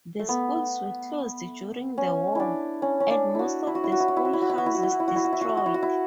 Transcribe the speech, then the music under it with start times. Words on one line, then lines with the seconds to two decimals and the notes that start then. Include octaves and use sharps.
The schools were closed during the war and most of the school houses destroyed.
0.19 A3
0.29 B3
1.98 C#4
2.35 D4 E4
2.82 C#4
3.00 C#4
3.10 D4
3.35 E4 F#4
3.67 E4
3.75 F#4
3.84 E4
3.92 F#4
4.00 E4
4.08 F#4
4.17 E4
4.25 F#4
4.33 E4
4.42 F#4
4.50 E4
4.58 F#4
4.66 E4
4.75 F#4
4.83 E4
4.91 F#4
5.00 E4
5.08 F#4
5.16 E4
5.25 F#4
5.33 E4
5.41 F#4
5.49 E4
5.57 F#4
5.66 E4
5.74 F#4
5.83 E4